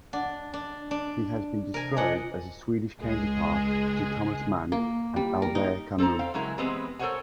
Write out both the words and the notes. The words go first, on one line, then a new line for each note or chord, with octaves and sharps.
He has been described as a Swedish counterpart to Thomas Mann and Albert Camus.
D4 F#5
D4
D4
C3 A#4 G#5
D4 F4 C5 D#5 F#5 G#5
C#2 G#3 G#4
A#3
G3
A#4
D#4
C4 A4 C5 A#5
C5 F5 G5
C#3 F#3 G#3 E4 A#4
E3 G#3 B3 C4 G4 B4
A4 A#4 C5 C#5 F#5 G#5